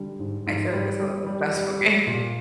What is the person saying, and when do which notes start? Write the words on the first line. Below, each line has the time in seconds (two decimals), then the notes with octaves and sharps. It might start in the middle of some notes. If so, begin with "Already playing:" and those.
I feel like it's a little stressful game.
Already playing: D3 G3
0.19 G#2
0.47 G#2
0.72 G3
0.99 G3
1.26 G3
1.53 G3
1.81 G3
2.07 A#2